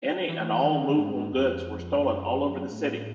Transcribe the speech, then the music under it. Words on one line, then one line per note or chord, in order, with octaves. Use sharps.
Any and all moveable goods were stolen all over the city.
E3
D#3
D3
G#2
G#2
F2
F2
F#2
A2